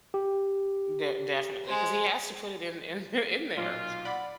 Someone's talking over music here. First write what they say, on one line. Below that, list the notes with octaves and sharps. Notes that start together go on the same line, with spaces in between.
De definitely 'cause he has to put it in in in there.
G4
G#3 C5
B1 A#2 F4
D5 F#5 B5